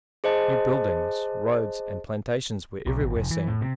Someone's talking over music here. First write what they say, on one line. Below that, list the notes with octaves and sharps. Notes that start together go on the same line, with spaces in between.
New buildings, roads, and plantations were everywhere seen.
G#4 C5 D#5 A5
B1
G#1
F1
E3
A2
C3